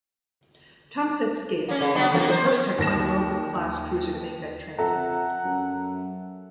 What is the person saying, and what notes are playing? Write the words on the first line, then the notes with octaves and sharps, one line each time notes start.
"Thomas S. Gates" was the first "Ticonderoga"-class cruiser to make that transit.
A#3 C#4
C#3
F#3 B3 D4
E2 A#3
A#3 G4 C5
C4
D#2 A#4 A#6 E7
F2 A4 E5 F#5 A#5
F#2